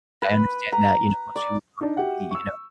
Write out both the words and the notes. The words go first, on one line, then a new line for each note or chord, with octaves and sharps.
I understand that, you know, most people aren't really, you know,
B4
A#5
D5
D4 D#4
F#4 G4 E5 F#5 G5
C#6 E6